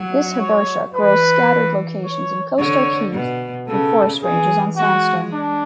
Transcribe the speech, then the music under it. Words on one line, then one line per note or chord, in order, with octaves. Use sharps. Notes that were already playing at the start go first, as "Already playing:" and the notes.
This hibbertia grows scattered locations in coastal heath and forest ranges on sandstone.
Already playing: F#3
C#5
E3 B4
C#5
D3 C#5
B2
C#3 A4
E3 G#4
G#3 F#4
D4